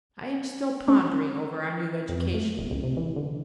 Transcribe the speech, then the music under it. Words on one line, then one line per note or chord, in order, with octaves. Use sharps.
I am still pondering over our new education.
C#4
F2
A3
D1
C#2
C3
E3
D3